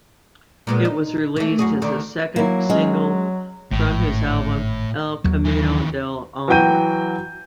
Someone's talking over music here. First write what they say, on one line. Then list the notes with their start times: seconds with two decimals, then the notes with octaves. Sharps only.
It was released as the second single from his album "El Camino del Alma".
0.67 A#2 G#3 B3
0.85 D#4
1.36 E3 A3
1.59 F#2 F#4 G#4
1.82 D2 D3 D#3
2.36 F#3 A#3 E4
2.70 G#3 C#4
3.71 G#1 A2
5.24 D#2 F#3
5.45 D#3 E3
6.48 E3 F#3 F#4 G5 G6 D#7